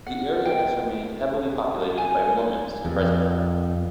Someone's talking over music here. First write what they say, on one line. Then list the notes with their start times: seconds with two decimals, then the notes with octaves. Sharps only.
The area has remained heavily populated by Mormons to the present time.
0.07 F#5
0.45 G5
1.98 G#5
2.85 F2